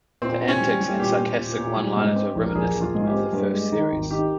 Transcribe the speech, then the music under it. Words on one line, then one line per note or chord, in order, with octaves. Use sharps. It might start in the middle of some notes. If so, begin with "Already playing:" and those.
The antics and sarcastic one-liners were reminiscent of the first series.
A#2 C4
C4
C#4
G3
G3
A#2 G4
A#2
A#2
A#2
G3
G#2
C4
A#1
A#4
A#1 G#4
A#1
F4
G#2
F4
G4
C4
G2
G#3
D#3
G#1
D#3 G4